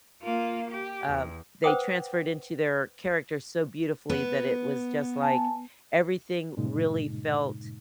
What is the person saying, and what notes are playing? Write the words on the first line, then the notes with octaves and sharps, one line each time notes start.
uh, they transferred into their characters so beautifully that it was just like, everything really felt
A#3 F4
G4
E2
B4 C5 F#5 G5 D6 D#6
B3
G#5 A5
G2 A#2 C#3 G#3 D#4